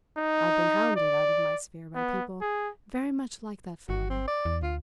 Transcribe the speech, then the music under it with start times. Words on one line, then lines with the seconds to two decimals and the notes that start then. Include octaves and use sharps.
I've been hounded out of my sphere by people very much like that fellow.
0.17 D#4
0.96 D5
1.95 B3
2.41 G#4
3.89 G1 F#4
4.10 C4
4.28 D5
4.45 E2
4.62 D2 F4